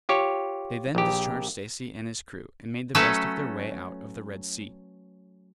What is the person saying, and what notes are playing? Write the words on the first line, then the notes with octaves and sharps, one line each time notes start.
They then discharged Stacy and his crew, and made the best of their way out of the Red Sea.
F4 G4 C#5
A#1 G4
F#3 A3 C#4 A4 B4